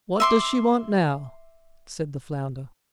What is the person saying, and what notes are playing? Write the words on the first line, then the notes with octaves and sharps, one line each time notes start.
"What does she want now?" said the flounder.
E5 C6 D6